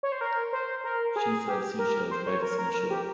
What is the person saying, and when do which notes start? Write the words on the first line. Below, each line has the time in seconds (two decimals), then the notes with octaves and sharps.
She sells sea shells by the sea shore.
0.03 C#5
0.12 C5
0.21 A#4
0.53 C5
0.84 A#4
1.16 G#4
1.48 G4
1.79 A#4
2.11 C5
2.27 C#5
2.42 A#4
2.58 A#4
2.74 A#4
2.90 G4